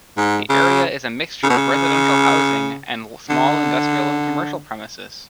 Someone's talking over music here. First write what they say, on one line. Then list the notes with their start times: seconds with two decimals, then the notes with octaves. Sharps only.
The area is a mixture of residential housing and small industrial and commercial premises.
0.17 G#2
0.50 C#3
1.43 C#3
1.50 B2
1.57 C#3
3.29 D3